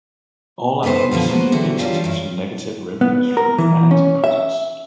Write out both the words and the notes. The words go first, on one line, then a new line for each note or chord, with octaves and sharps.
All Out received mixed to negative reviews from fans and critics.
A3 B3 D#4 B4 C5
B2 D3 E3 F3 D#4
G#3 A#3 B3 F#4 B4 C5
D3 E3 F#4 G4
F#3 G3 A#3 D4 F4 G4
G2 E4
B3
A#4
E3
C#4
E5